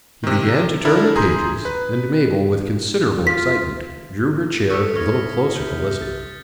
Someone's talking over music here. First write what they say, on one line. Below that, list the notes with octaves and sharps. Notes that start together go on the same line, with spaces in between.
He began to turn the pages, and Mabel, with considerable excitement, drew her chair a little closer to listen.
C3 D#3
D4 E4 A4 A#4
G#4 A#5 C6 G6
B4
F4 B6
C2 A3 C#6 D#6 E6 B6 C#7
E4 C#5 F6 A#6
C3 G6 B6
A6